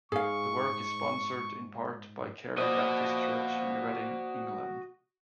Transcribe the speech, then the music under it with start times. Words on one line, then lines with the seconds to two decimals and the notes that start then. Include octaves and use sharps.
The work is sponsored, in part, by the Carey Baptist Church in Reading, England.
0.12 G#2 G#4 F5 C#6
2.58 F3 A#3 F#4 C5 D5 D#5